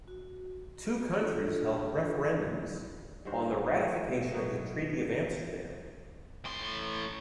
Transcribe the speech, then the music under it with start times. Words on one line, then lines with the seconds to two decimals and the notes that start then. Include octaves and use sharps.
Two countries held referendums on the ratification of the treaty of Amsterdam.
0.08 F#4
1.19 D4 F4 A4
3.25 G2 D#3 F#4 C5
3.74 G#3 A3 E4 F#4
4.32 B2 F#3 B3
6.45 A2 C6